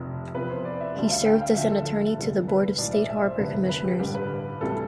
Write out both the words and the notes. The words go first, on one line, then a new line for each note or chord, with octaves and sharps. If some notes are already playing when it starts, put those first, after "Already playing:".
He served as an attorney to the Board of State Harbor Commissioners.
Already playing: F1 F2 C3
E2 C3 F3 B4
C5
D5
E5
D2 D3 G3 E5
F5
G5
F5
D2 D3 F3 E5
A4
F1 E2 D3 G3
B4
B1 A2 E3 D5
E5
E5
C5
F1 E2 D3 G3 B4
B4
B4
G4
A1 G2 D3 G3 G4
B4
D2 C3 E3 G3 A4